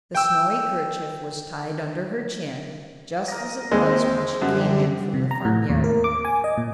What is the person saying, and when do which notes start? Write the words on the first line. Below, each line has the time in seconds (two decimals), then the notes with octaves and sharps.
The snowy kerchief was tied under her chin just as it was when she came in from the farm-yard.
0.14 G5 E6
3.28 A#4 D#5
3.71 D#2 G#3 C4 E4 C5
4.42 F#2 D3 G3 G4
5.14 C3
5.31 A#5
5.45 A2
5.69 D#2
5.84 A#4
6.04 D6
6.25 G#5
6.44 D#5
6.57 A#2